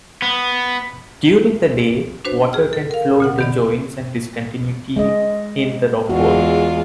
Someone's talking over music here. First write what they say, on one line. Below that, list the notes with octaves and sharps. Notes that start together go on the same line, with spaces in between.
During the day, water can flow into joints and discontinuities in the rock wall.
B3
D4 F#4 B4 C5
G#4 F6
A4
A#4 F5
A#2 C#3 F#5
D#3 B3 D5
G#3 D#5
E2 G#3 F4 F#4